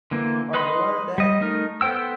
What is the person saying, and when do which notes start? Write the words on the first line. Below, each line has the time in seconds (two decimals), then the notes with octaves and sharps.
or learned that
0.11 D3 E3 A#3
0.54 D#4 B4 D#5 B5 C6
1.18 G3 D#5
1.41 A3 D#4 A#4
1.81 B3 A4 C5 G5 E6